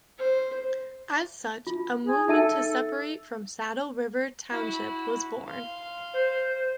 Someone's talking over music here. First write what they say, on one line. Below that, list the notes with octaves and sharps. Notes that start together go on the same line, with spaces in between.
As such, a movement to separate from Saddle River Township was born.
C5
F4
G#4
D#4 A4 E5 A5
E4 F#4
F5 C6
C5